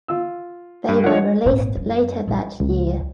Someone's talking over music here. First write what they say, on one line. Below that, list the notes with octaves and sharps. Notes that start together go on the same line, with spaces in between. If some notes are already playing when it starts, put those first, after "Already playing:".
They were released later that year.
F4 E6
G2
F3 D4 C#5 F#5
G#1 A#2
F#2
A#1 E3
C#2